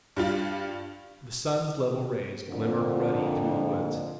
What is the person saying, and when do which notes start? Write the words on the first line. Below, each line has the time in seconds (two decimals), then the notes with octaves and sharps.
The sun's level rays glimmered ruddy through the woods.
0.16 G2 G3 F4
2.49 F2 A#2 D3